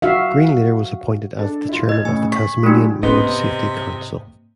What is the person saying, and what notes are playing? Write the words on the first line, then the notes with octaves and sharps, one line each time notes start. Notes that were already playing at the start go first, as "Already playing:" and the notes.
Green later was appointed as the chairman of the Tasmanian Road Safety Council.
F#4 E5 F5
D4 A4
E4 F4
D#5 E6 G#6
A2 C#3 G#5
C#6 B6
F#3 A3 D#4 F4 G4
G#2 C3 A#3 B3 D#5 C6